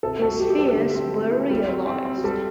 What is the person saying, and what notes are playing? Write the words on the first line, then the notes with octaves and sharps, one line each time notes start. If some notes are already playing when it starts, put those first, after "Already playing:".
His fears were realized.
C3 A4
F#4 A4
G3 G4
G4
G3 A4
D3
C4
C4
E4
G3
C4
C4
C4
G4
G3 A4